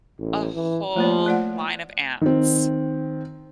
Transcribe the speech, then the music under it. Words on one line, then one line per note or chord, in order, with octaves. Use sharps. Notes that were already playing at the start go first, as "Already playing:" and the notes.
a whole line of ants
A1
E3
F3 A3 A#3 C#5
A3 D5 F#5
D#3 C4